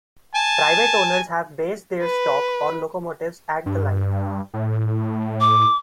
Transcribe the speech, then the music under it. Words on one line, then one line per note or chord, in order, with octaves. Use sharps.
Private owners have based their stock or locomotives at the line.
G#5 A5
B4
G2
A2
D6